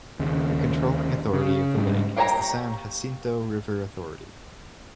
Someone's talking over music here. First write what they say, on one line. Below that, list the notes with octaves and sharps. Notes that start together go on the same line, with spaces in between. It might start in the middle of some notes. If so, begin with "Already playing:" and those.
The controlling authority of the lake is the San Jacinto River Authority.
D#2 C#3
C#3
G#2 G3
A#3 G4 C#5 D5 A#5